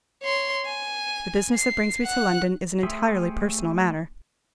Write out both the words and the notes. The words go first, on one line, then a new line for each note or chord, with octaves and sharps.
The business that brings me to London is an entirely personal matter.
C#5 C6
G#5
C7
F#5 F#6
A3 G4 G#4 C5 E5